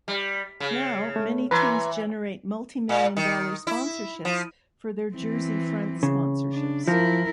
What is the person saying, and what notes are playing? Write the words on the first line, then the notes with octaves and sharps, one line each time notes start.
Now, many teams generate multimillion-dollar sponsorships for their jersey-front sponsorships.
G3
C#3
A3
E3 B4 A#5 C6
A#2
D#3
E4
F3
E3 C4
C#3
D4
F3 E4 A#4